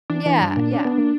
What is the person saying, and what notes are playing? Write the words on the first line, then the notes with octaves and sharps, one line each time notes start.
Yeah, yeah.
E3 D4
E3
G2 G3
A#2 A#3
C#4
B3
A#3